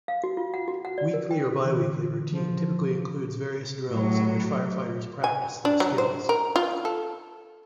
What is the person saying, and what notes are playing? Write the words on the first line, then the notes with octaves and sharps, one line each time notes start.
Weekly or bi-weekly routine typically includes various drills in which firefighters practice their skills.
F5
F#4
F4
F#5
F#4
F#5
D5
A#4
G5
D3 E3
F3
A2 F#3
G#5
D4
F#3
C5
A#4
F4
A4